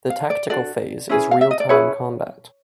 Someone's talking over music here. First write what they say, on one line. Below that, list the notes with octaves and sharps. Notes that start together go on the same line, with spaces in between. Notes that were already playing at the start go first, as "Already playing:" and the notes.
The tactical phase is real-time combat.
F5
D5
D4 F#4 A4 D5
C#4 E4 G#4 B4
F5
E5
D#5
D5
C#4 E4 G#4 B4 C#5